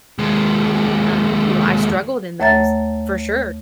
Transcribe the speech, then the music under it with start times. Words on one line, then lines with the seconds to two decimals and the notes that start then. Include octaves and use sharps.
um, you know, I struggled in those for sure
0.19 D#2 G#3
2.40 D#2 A3 C#5 E5 A#5 A6